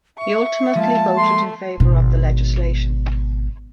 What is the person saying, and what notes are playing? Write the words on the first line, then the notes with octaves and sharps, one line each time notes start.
He ultimately voted in favor of the legislation.
E5 C#6
F3 G#3 A#3 F4 A5
A3 C6
G#1 B2